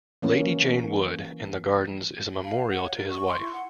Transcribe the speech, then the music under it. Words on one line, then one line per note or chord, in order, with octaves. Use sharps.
Lady Jane Wood in the gardens is a memorial to his wife.
E3 F#3 A#3 C#4
F5
F#5
C#5
A#4
C#6
C6
E4
F#5